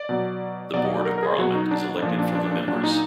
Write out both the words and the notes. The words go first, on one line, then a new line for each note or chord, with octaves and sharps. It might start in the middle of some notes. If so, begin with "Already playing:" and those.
The board of parliament is elected from the members.
Already playing: D5
B2 F#3
B2 F#3 D5
D#5
D5
A#4
A#4
G#4
B2 F#3 F#4
D#4
D4
A#2 F3 D4
D4
D4
D4
A#2 F#3 D4
D#4